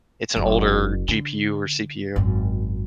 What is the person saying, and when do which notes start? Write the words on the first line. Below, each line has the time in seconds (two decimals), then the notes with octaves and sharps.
it's an older GPU or CPU.
0.36 F#1
1.08 D3
2.16 G#1 F#2